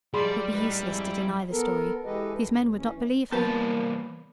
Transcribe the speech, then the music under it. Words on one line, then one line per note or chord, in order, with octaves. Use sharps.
It would be useless to deny the story; these men would not believe her.
F3 G3 D#4 G#4 D5 B5 C6
A2 D#4 B4
F2 G#2 E4
B3 A4 A#4
E3 G#3 G4 A4 B4 D#5
D#2
E3 C#4
E3 G3 A#3 B3 B4 A5